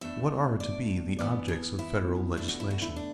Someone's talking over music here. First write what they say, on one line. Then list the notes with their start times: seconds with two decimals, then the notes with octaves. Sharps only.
What are to be the objects of federal legislation?
0.01 E2 B2 A3 D4 E5
0.60 D5
1.19 E2 E3 B3 D4 D5
1.48 D4
1.79 E4
2.37 B2 A3 D4 E4
2.48 F#4
2.60 E4
2.71 F#4
2.82 E4
2.96 D4